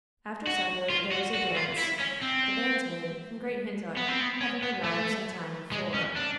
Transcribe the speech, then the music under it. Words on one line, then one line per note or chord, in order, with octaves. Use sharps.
After supper there was a dance, the bandsmen from Great Hintock having arrived some time before.
F#4
F4
F#4
F#4
F4
E4
C#4
C4
B3
C4
B3
C#4
B3
A3
G#3
C#4
D4